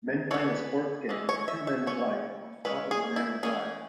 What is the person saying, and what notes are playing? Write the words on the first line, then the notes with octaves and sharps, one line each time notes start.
Men playing a sports game with two men in white on top of a man in black.
E3 B3 C#5
E3 G#3
C#5
E5
E5
E3 C#4 C#5
E3 G#3 C#4 B4
G#4
E4
E3 G#3 C#4 G#4